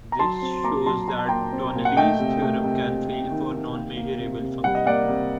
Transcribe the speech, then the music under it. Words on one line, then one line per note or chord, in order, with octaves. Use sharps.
This shows that Tonelli's theorem can fail for non-measurable functions.
A#5
F#3 A5 C6
C4
A#2 A#5 D6
F#3 A5 C6
F#3 A#5
A5
A#2 G5 A#5
C4
A#2
F#5
A3 D#5 G5
C3
A3
C3
C3
C3
D#3
D#3
A#3
A#3
C3
C3
G3 F#5
D#5
A#3 D5 F#5
C3